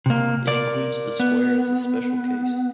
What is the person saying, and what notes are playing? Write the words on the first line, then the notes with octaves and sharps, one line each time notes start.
It includes the square as a special case.
C3 A#3
A#4 D5
B3